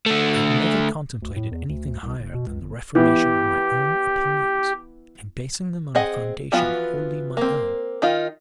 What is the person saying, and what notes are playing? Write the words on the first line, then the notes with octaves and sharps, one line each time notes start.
I have never contemplated anything higher than the reformation of my own opinions, and basing them on a foundation wholly my own.
D3 A3
D2
A2
E2
D2
D2
C2
F#1
B2
C#2
G1
E3 B3 G4
C4 G#4 D#5 F#5
E3 F3 B3 F4 F#4
A#3 C4
D#3 D#4 F4